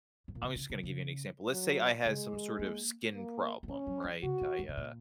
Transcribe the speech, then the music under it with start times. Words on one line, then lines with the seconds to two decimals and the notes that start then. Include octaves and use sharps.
I'm just gonna give you an example, let's say I had some sort of skin problem, right? I, uh,
0.28 G#2
0.35 A#2
0.42 C3
0.55 C#3
0.70 C#3
0.83 C#3
1.51 F#3
2.05 C#3 G#3
2.33 D#3
2.59 A#3
3.14 A#3
3.63 C4
3.68 A#3 C#4
3.87 F#3
4.04 F3
4.23 C#3 F#4
4.41 A#2
4.59 G#2
4.69 C3
4.77 A#2